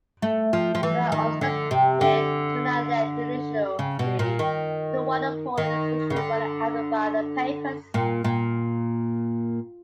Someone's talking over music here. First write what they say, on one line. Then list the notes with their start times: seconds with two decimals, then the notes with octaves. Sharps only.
The unexpected turnout led unusually to one polling station running out of ballot papers.
0.22 A3
0.53 F3
0.75 F3
0.83 E3
1.12 D#3
1.41 D3
1.71 C3
2.01 D3
3.79 C#3
3.99 B2
4.19 A#2
4.39 D#3
5.58 D#3
6.10 C#3
6.16 D3
7.94 A#2
8.24 A#2